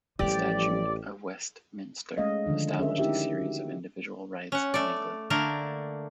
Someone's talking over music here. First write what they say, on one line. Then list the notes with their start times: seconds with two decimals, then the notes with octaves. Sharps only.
The Statute of Westminster established a series of individuals' rights in England.
0.19 A1 F3 G3 G4 D5
2.17 G#3 A3 C#4 D#5 F5
2.46 D3 D#3 F3 D4
2.79 C#4 G#4 A#4 E5
2.98 C#4 D#4 E4 G4 E5
3.41 F#4
4.52 C#4 F#5
4.74 A3 D5
5.30 D3 A3 A#3 A#4